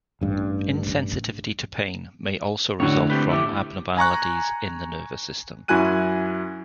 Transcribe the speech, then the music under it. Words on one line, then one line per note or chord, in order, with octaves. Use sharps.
Insensitivity to pain may also result from abnormalities in the nervous system.
A1 G2
A2 D3 F#4 C#5 D5
C4 G4 B4
A3 E4 G4
G#5 A#5 C#6 F#6
F#2 E4 F#4 G#5 F#6 D#7